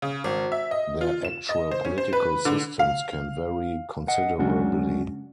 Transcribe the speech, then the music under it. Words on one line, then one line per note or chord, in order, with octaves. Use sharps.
Their actual political systems can vary considerably.
C#3
G#1
E5
D#5
F4
E7
D#5
C5
C#4
C5
B4
D3
F5
D#5 F#5
F#2 C#3 G#3 C#4 D4 F#4